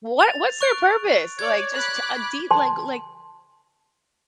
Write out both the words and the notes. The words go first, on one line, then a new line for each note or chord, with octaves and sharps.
W What what's their purpose, like, just a det like like
A6 F7
C#6 F#6 D7
C#5 D5 G#6
B5 D6 F#6
A5 C6